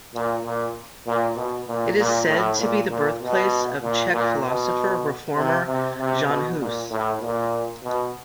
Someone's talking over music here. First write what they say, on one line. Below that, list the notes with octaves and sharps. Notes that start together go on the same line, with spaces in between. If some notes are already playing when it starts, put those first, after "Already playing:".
It is said to be the birthplace of Czech philosopher, reformer Jan Hus.
A#2
A#2
A#2
B2
A#2
A#2
A2
A#2
A#2
B2
A#2
A#2
B2
C3
C3
C3
B2
A#2
A2
A#2
B2